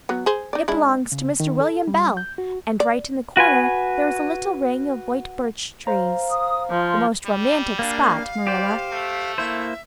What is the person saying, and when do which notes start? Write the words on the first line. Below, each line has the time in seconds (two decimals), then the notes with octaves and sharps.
It belongs to Mr. William Bell, and right in the corner there is a little ring of white birch trees--the most romantic spot, Marilla.
0.09 F#3 B3
0.26 G#4 C5
0.53 D#4 D5
0.68 G#3 D4 E4
1.12 C#3
1.40 D#3
1.60 A4
1.87 G3
2.17 G6
2.38 F#4
2.80 D5
3.37 F#4 B4 G#5
5.87 C5 F5 A#5
6.31 D#6
6.70 F3 C6
7.27 G3
7.79 A#3 D4 F5
8.47 G4 C5 D5
8.92 A3
9.38 A#3 E4 C5 E5